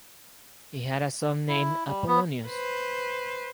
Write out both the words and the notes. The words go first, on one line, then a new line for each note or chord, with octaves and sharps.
He had a son named Apollonius.
E4
G3
B3
B4 C5